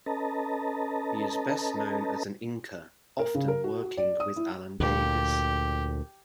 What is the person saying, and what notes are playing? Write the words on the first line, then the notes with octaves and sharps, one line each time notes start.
He is best known as an inker, often working with Alan Davis.
C#4 A4 B4 D#5 A5 A#5
A#4
C#3
A#4
F#4
F#4
D5
D#6
E4
D2 A#2 G4